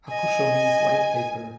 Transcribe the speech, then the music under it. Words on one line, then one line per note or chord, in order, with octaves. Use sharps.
"Hakusho" means "white paper".
D#5 G#5